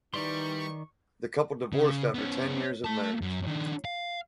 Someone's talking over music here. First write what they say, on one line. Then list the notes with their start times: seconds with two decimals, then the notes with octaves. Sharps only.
The couple divorced after ten years of marriage.
0.14 D#3 E3 G3 D#4 D5 C6 C#6
1.73 C#3
2.14 B3 C#4
2.84 A3 A5
3.22 F#2
3.47 D#3 D4
3.85 F5